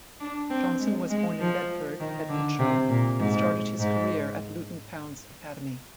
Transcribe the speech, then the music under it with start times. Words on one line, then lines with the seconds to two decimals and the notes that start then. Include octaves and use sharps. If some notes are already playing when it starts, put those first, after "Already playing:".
Johnson was born in Bedford, Bedfordshire, and started his career at Luton Town's Academy.
0.20 D4
0.50 C4
0.80 G#3
1.10 G#3
1.40 F3
2.00 D#3
2.29 D3
2.59 C3
2.89 A#2
3.19 G#2
3.80 G#2